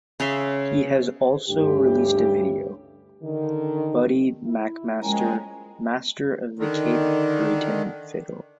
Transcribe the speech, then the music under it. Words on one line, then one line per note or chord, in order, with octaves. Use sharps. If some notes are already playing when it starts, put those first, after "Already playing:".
He has also released a video, "Buddy MacMaster, Master of the Cape Breton Fiddle".
C#3 C#5 E5 C6
D2 G2 C#3 E3 G4
D3 D#3
E4
F3 G#3 A#3 C#4 G5 G#5 A#5
D3 D#3